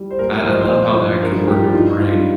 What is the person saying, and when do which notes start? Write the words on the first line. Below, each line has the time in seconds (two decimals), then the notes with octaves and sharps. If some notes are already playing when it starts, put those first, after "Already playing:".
I I love how that can work with the brain.
Already playing: G3
0.11 C5
0.19 A#2 A#4
0.45 F3 C5
0.53 D#5
0.61 C5
0.70 A#2
0.96 F3
1.22 G2 A#4
1.48 G3 G4
1.63 F4
1.73 G3 D#4
1.98 G2 F4